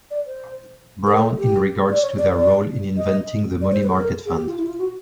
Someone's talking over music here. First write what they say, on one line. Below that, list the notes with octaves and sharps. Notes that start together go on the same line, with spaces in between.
Brown in regards to their role in inventing the money market fund.
D5
C5
A#4
A4
G4
D5
C#5
D5
D5
D#5
D5
C5
B4
A4
A#4
G#4
G4
F4
E4
F4
F#4